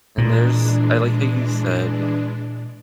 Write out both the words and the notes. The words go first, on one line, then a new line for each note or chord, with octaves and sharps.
And there's I like how you said,
A#2 E3 G#3 D4